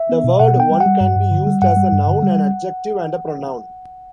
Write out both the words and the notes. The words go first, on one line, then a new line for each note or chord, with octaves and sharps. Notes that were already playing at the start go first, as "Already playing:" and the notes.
The word one can be used as a noun, an adjective and a pronoun.
Already playing: E5
B3
B2
B2 F#5
B3 G5
G3
F#5
G3
G2
G2
D3
G3
G2 F#5
G3
G2
D3
G3